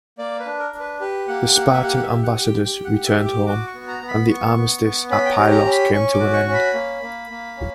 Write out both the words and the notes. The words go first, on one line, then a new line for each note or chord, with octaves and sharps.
The Spartan ambassadors returned home, and the armistice at Pylos came to an end.
A#3 D5
B4
D4
A#4
D4
B4
G4 B4
A#3 F#5
A#3 F#5
E5
G4 F#5
F#5
E5
G4
F#5
G4
G5
G4 G5
F#5
G4
E5
G4
D6
F#4 D6
C#6
B3
A#5
B3
B5
B3 C#6
B3
B3
C#4 B5
G5
A#5
G4
A#5
C#4
B5
C#4 C#6
D6
F#4
C#6
C#4
B5
A#3
A#3
A#3
C#4